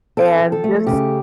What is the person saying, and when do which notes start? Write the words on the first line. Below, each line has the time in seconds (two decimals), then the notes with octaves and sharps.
and this
0.17 C4 A4
0.40 F3
0.52 A4
0.64 A3
0.87 C#3 G4